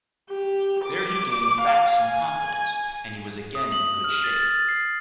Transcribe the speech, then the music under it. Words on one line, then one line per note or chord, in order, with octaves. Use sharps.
There he gained back some confidence and he was again in good shape.
G4
D6
F5
G#5
D#6
F#7
F6
A6
A6
C7